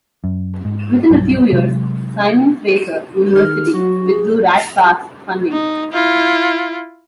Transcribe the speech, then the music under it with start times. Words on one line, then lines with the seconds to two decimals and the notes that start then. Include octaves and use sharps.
Within a few years, Simon Fraser University withdrew Rat Park's funding.
0.24 F#2
0.65 G#2
1.10 B1 G2 F#3 G3
1.52 C3 F#3 G#3
3.35 D#3 F6
3.74 F#3 F#4
4.07 G#4
5.52 D#4
5.93 E4 F4